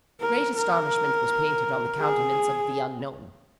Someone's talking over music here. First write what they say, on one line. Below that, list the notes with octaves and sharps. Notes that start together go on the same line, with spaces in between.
Great astonishment was painted on the countenance of the unknown.
A#4
A#4
G#4